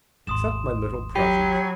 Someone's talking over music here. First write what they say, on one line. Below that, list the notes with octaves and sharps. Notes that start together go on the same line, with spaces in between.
Accept my little present.
G#1 D#2 C6 D#6 E7
F#3 G4 B5 C7 D#7